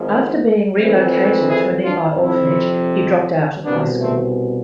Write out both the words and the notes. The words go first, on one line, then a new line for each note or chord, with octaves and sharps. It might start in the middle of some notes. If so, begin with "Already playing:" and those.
After being relocated to a nearby orphanage, he dropped out of high school.
Already playing: G#1 G#2 F3
F2 E3
E4 G#4
D4 F4
F2 C3 F3 C4 E4
C2 B2 B3 D4
A3 C4